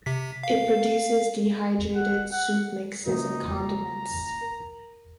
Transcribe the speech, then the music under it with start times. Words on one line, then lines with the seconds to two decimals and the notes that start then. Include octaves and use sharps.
It produces dehydrated soup mixes and condiments.
0.06 C3 B6
0.43 F5
1.95 F#5
2.32 F#5
3.06 A#1 C#3 D#4 F#4
3.56 A#5
4.41 A#4